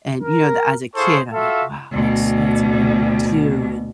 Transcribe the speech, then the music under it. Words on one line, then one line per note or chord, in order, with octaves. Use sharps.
And, you know, tha as a kid, I'm like, "Wow, that's that's what I wanna do, and"
A#4
E4 G#4 A4 C5 F5 C#6
F4 F#4 A4 E5 F5
D2 B2